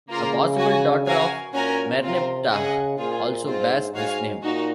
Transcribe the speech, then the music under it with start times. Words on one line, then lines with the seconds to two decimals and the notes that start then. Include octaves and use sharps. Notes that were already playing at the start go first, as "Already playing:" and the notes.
A possible daughter of Merneptah also bears this name.
0.09 C#3 A#3 F4 A#4
0.58 F#4 C#5 G#5
1.06 F#4 A#4 F5 G#5
1.53 A#2 C#4 F#4 A#4 C#5 G#5
2.02 C3 C4 F4 A#4
2.50 C#3 G#4 D#5 F#5
2.98 A#2 F4 G#4 C5
3.46 G#2 C4 F4 C5
3.94 G#2 F#4 C#5 F5 G#5
4.43 A#2 D#4 F#4